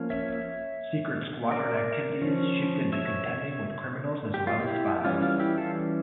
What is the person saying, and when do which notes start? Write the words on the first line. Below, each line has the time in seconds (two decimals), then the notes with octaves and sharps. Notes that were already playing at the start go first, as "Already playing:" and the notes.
Secret Squadron activities shifted to contending with criminals as well as spies.
Already playing: F3 A#3 C#4
0.10 C#5 E5
1.51 A#4 D5
2.22 F3 C#4
2.93 C#5 E5
4.34 G4
4.47 F4
4.60 E4 G4
5.05 E3 G3 C#4 F4
5.22 F4
5.39 E4 G4
5.58 F4 A4